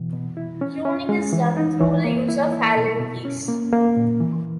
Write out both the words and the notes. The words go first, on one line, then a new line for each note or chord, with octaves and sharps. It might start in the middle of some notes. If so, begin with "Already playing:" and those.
Tuning is done through the use of Allen keys.
Already playing: B2 E3
B2
E4
C#4
C#4
G#3
E3
D#4
E3
A#3
E4
E4
B2
B2
C#4
A#3
A#3
A#2
E3